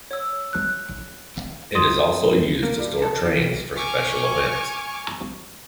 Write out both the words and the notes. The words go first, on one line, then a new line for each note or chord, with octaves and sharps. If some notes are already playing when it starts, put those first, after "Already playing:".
It is also used to store trains for special events.
C#5 E6
F#6
C6 D#6
A#3
G2
A4
E3
G#5 C#6 D6 F6